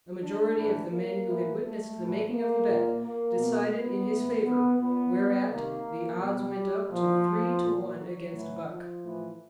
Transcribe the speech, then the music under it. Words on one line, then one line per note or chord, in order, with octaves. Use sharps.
A majority of the men who had witnessed the making of the bet decided in his favor, whereat the odds went up to three to one against Buck.
D4
A2 E3
A#3
A2 E3
A3
A2 E3
A#3
A#2
A#3
B2
B3
A2 E3
B3
A#2 B3
C3 D#3 A#3
B2 G3
A#2 F3
A#2
F#3
A2 E3
F3
A2 E3